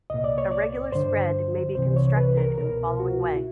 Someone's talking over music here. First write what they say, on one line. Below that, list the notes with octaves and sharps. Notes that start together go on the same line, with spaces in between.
A regular spread may be constructed in the following way.
C2 A#2 D#5
D5
C#5
D5
G2 D3 C5
C2 C3 E3 C5
C#5
B4
A#4
C2 B2 A#4
F#4
E4